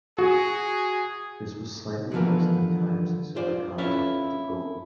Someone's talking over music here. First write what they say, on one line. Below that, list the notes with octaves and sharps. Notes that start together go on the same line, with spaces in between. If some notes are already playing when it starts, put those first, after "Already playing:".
This was slightly less than times the silver content of the Gulden.
F#4 G#4
D3 E3 F3 B3 A#4
F4 C5 D5
C#4 E4 F4 A4 B4 C#5